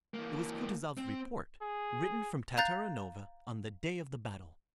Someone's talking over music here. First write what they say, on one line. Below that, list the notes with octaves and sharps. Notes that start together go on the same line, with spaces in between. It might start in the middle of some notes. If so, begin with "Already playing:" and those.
It was Kutuzov's report, written from Tatarinova on the day of the battle.
E3 A#3
C4
G#4
F5 A#5 F#6 G6 A6